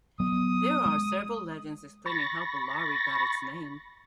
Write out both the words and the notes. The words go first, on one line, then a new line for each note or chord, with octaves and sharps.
There are several legends explaining how Ballari got its name.
F#3 B3 D#6
G#3
B5 C#6 A6 A#6